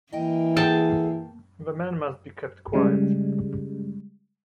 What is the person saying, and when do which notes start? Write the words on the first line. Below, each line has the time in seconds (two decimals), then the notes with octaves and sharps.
The man must be kept quiet.
0.12 E3 A#3 D#5 G5
0.56 G#4 A4 F#5 G5 A5
2.73 C#3 G3 G#3